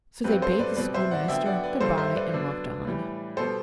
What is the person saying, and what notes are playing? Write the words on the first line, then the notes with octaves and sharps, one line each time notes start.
So they bade the schoolmaster good-by and walked on.
G2 F#3 C4 G4 B4
A4 C5
B4 D5
B2 G3 C4 B4 D5
C5 E5
D5 F#5
D3 F#3 B3 E5 G5
D5 F#5
B4 D5
G2 D3 G3 A4 C5
C5 E5
B4 D5
D3 F#3 B3 D4
A2 E3 G3
B2 G3 B3 A4 C5